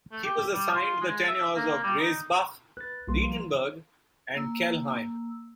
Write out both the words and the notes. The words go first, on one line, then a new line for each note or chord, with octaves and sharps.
He was assigned the tenures of Graisbach, Riedenburg and Kelheim.
A3
G4
G3
F4
G#3
E5
A#3
G3
D#4
B4 F#6 A6
B1 G3 A#3 F4 C6
F3 A#3 C6
A#3 E6